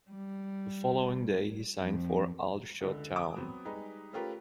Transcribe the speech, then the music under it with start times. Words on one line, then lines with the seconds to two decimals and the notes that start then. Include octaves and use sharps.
The following day he signed for Aldershot Town.
0.11 G3
1.80 F2
2.81 C#2 D3
3.16 D6 D#6
3.35 F#3 B3 C4
3.65 G3 G#3 D#4 G4 G#4 B4
4.13 A3 C#4 F4 G4 A#4 B4